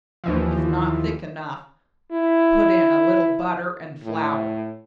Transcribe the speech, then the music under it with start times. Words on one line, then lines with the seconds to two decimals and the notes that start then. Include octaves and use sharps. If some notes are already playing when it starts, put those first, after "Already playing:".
If not thick enough, put in a little butter and flour.
0.24 D#2 E3 F3
2.12 E4
4.04 A2